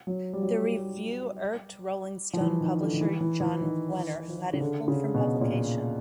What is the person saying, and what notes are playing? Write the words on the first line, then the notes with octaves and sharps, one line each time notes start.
The review irked "Rolling Stone" publisher Jann Wenner who had it pulled from publication.
F#3
G3
F#3
G3
F3
E3
D#3
D3
D#3
E3
E3
E3
D#3
C#3
D3
C#3
B2
A#2